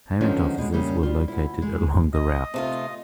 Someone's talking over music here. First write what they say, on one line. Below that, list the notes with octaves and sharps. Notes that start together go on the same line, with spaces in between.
Payment offices were located along the route.
D3 D#3 F3 G#3 B3 C#4
B2 G#3
C#3 G3 A#3
G3 F4
D2 E4
G#3
D#5
C3 A3 F4